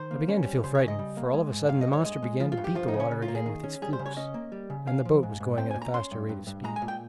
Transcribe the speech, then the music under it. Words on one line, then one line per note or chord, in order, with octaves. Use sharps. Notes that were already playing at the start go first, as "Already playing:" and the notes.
I began to feel frightened, for all of a sudden the monster began to beat the water again with its flukes, and the boat was going at a faster rate of speed.
Already playing: D#3 C5
A#3
C#4
G3
C#3 C5
C#5
C#3
D#5
G3
A#3
G#3
G#2
G2 F5
D#5
G2
C#5
G#3 D#5
G#3
F3 F4
F4
G2
G4
F3 F4
D#4
C#3
C#4
C#3
F4
A#3
G#4
D#3
C#4
G3 G#4
C5
C#3
C#5
C#4 D#5
A#3
G3
C#3
C#4 F5
F3
G#2
G#2
C4 G5
A#2 G#5
A#5
C#4 C6
G2
G2
G2
G#3 A#5
G#5
A#2
G5